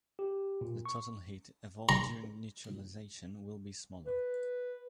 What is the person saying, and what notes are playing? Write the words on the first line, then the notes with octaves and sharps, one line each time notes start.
The total heat evolved during neutralization will be smaller.
G4
A#2
C#6
A#5
B4